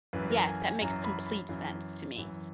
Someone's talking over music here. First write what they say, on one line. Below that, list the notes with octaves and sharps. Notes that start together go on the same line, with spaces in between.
Yes, that makes complete sense to me.
F#2 E3 B4
A#4
G#5
G#5
F#2 E3 A#5
B5
B5
F#2 E3
F#2 E3